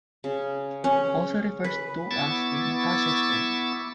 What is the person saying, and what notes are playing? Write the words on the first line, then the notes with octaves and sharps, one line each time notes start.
Also referred to as a metacestode.
C#3
C#4
B4
B3 E4 C#6 D6 E6 A6